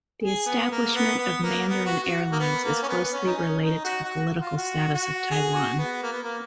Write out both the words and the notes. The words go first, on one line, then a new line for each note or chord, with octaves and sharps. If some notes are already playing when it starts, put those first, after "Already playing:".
The establishment of Mandarin Airlines is closely related to the political status of Taiwan.
G#4
B3
A#3
B3
B3
A#3
B3
F#4
F#4
A#3
B3
A#3
C#4
B3
B3
C#4
D#4
C#4
D#4
F#4
F#4
F4
F#4
F#4
G#4
F#4
B3
A#3
B3
A#3